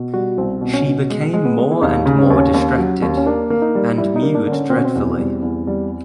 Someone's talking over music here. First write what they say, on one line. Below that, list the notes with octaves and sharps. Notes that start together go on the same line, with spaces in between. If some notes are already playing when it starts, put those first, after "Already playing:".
She became more and more distracted, and mewed dreadfully.
Already playing: B2
G3 F#4
C2 C4
B2
C#4
B2
G#3
G#3
B3
G#3
E4
D#2 D#4
C#3
C#4
D#2 C4
C#4
D#2
F#3
D#2
C#4
A#3 D4
A#3
D#4
G3
G3 E4
D#4
A#3
D4
D3
C#4
B2 C4
C#4
C4
E2
G3
E2
G3